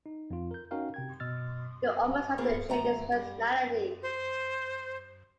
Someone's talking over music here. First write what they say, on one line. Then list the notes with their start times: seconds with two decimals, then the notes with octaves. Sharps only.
You almost have to change his personality.
0.06 D#4
0.30 F2 F4
0.51 A#4 G6
0.71 C#4 D#4 F#4 A#4 F5 G5
0.94 C3 G5 G#6
1.20 B2 D#5 E6 F6 A6
2.38 A#3 B3 F4 G#4 A#4 C5
2.69 D2 A3 A#5
3.12 G3
4.02 C5